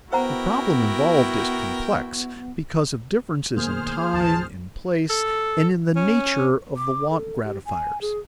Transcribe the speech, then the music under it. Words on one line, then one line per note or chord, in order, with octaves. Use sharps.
The problem involved is complex because of differences in time, in place, and in the nature of the want-gratifiers.
B3 E4 F#4 A#4 C5 F#5 G5 A#5
B2 D#3 A3 A#3 G#4 C5 F6
A1 D#2 A5
A4
C#4
D6
A4
G4
G#5
G#4